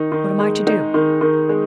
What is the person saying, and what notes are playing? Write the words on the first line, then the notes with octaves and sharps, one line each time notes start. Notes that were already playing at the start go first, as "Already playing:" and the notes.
What am I to do?
Already playing: D#3 D#4
D#3
G#3
D#4
D#3
D#3
G#3